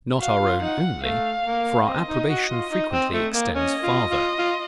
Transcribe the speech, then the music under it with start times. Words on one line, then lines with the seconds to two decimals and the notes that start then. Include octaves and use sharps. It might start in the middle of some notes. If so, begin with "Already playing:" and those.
Not our own only: For our approbation frequently extends farther.
0.20 F#4 F5
0.41 F4
0.62 D#4 F#5
1.04 A3 F5
1.45 A#3
1.87 C4 D#5
2.09 D#4
2.29 F#4
2.51 F4
2.71 D#4
2.92 C4
3.13 A3
3.34 A#3
3.55 C#4 D#5
3.83 F4
4.11 F4
4.39 F4